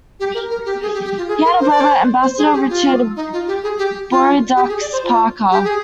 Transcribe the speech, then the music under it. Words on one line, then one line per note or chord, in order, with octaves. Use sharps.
He had a brother, Ambassador Richard Bordeaux Parker.
G4
A#4
A#4
G4
G#4
G4
G4
F4
G#4
A#4
C5
D5
C5
C5
G#4
G4
F4
D#4
F4
G4
G#4
G4
F4
G4
G#4
D5
C5
F4
G4
G#4